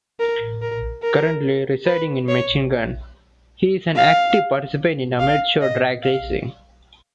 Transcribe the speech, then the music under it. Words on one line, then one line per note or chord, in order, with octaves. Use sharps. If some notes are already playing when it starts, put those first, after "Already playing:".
Currently residing in Michigan, he is an active participant in amateur drag racing.
A#4
A#4
A#4
B4
C#5
F5
F5
D#5
F5